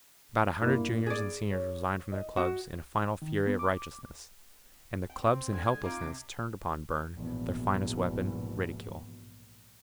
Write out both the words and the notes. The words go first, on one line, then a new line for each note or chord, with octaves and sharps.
About a hundred juniors and seniors resigned from their clubs in a final fury of righteousness, and the clubs in helplessness turned upon Burne their finest weapon: ridicule.
G2 A#3 E4
G#4 D5
C#5
D#5
F#4
D#3
B3
D6
G5
C4
D3 G#3 G#5
C4 D#4 F4 G#5 D6
C3
A#1 E2 G#2 B2